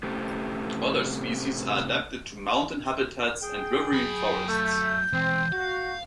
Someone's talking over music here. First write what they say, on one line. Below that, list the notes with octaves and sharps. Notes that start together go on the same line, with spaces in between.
Other species are adapted to mountain habitats and riverine forests.
A2 C3 A3 C4 C#4 G4
G#4 G5
F#2 B5
A3 G6
E3 G#3 C4
F#4 F5